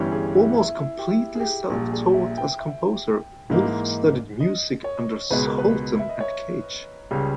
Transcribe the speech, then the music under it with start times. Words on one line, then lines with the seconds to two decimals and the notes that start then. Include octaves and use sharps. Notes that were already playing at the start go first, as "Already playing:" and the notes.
Almost completely self-taught as composer, Wolff studied music under Sultan and Cage.
Already playing: G1 G2 E3 G3 C#4
0.12 G#4
0.35 E4
0.57 E4
0.79 E4
0.99 G4
1.09 E4
1.35 G#4
1.40 G4
1.70 A#1 A#2 G3
1.92 G#4
2.14 E5
2.37 G5
2.60 E5
3.50 G#2 E3 A#3 D#4
4.40 D#5
4.84 C#5
5.31 C#2 B2 G#3 B4
5.44 A#4
5.58 B4
5.99 E5
6.09 D#5
6.20 C#5
7.11 C#2 C#3 G3